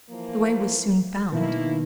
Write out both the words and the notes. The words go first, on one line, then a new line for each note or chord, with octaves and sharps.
The way was soon found.
E3 F3 A#3
B2 D#3 A#3 E4